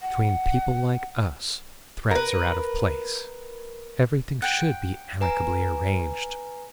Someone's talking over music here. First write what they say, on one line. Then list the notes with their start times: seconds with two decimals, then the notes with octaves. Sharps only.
Between people like us threats are out of place, everything should be amicably arranged.
0.02 F#5
2.11 A#4 B4
4.42 F#5 G5
5.21 B4 G#5 A#5